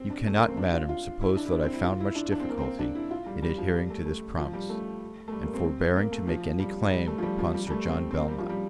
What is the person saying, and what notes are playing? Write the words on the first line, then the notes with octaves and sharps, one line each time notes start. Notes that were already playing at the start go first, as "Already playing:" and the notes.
You cannot, Madam, suppose that I found much difficulty in adhering to this promise, and forbearing to make any claim upon Sir John Belmont.
Already playing: C4
D4
A3
A#3
C4
D4
F4
F4
E4
D4
E4
D4
C4
E4
F4
E4
D4
D4
C4
A#3
C4
D4
E4
F4
G3
G3
F3
G3
A3
A3
F3
G3
A3
A3
G3
A#3
C4
C4
A#3
A3
F3
G3
G3
A3
F3
G3
F3
G3
G3
A3
C4
C4
A#3
G3
F3
G3